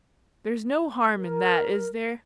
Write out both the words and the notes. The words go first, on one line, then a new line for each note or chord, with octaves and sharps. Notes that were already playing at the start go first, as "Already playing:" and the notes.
There's no harm in that, is there?
A#4